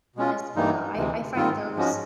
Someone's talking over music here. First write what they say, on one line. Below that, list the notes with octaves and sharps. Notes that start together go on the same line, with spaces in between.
As well, I I find those
B2 G#3 C#4 F4
G2 E3 G3 A#3 D#4
D2 C3 E3 G#3
G#2 D#3 G3 C4 F4
G#2 F3 G#3 C#4 F#4